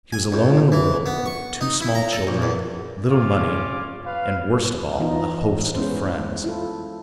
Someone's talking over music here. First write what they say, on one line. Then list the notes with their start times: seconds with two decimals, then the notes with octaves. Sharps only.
She was alone in the world, with two small children, little money, and, worst of all, a host of friends.
0.13 G#5
0.32 C#2
0.72 E3
1.06 B3
1.26 C#6
1.61 D#4
1.81 E4
1.95 A#5
2.13 A4
2.27 A#1
2.42 E2
3.09 C#4 F4 D6
4.05 B4 F5
5.00 E3 B3 D#4 F4
5.74 G#3 B3 C#4 E4 C5
6.44 E4 F4 A4